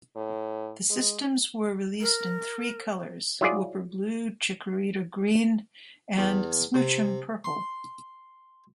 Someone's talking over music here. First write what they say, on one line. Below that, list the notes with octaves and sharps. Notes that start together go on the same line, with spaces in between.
The systems were released in three colors: Wooper Blue, Chikorita Green, and Smoochum Purple.
A2
G#3
A#4
F#3 E4 F4 G#4 D5
E2
C3
C6